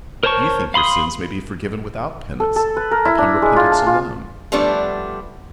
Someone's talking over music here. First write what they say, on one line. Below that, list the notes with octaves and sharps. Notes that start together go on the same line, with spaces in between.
You think your sins may be forgiven without penance, upon repentance alone.'
A#4 C5 C#5 A5 C#6
F5 B5 C6 D#6
A4
A4
B4
A#4
E4
D4
G#3
F4
A5
F4
F3 G3 A3 B3 D4